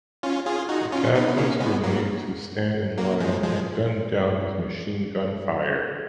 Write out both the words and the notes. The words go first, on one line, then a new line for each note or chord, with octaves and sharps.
The captives were made to stand in line and gunned down with machine gunfire.
C#4 F4
F4 G#4
D#4 F#4
C#4 F4
B3 D#4
B3
A#3 C#4
G#3 B3
F#3 A#3
F#3 A#3
F3 G#3
F3 G#3